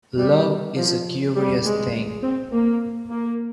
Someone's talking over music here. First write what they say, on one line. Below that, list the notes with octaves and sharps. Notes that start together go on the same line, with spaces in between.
Love is a curious thing.
G3
F3
G3
G#3
C4
A#3
A#3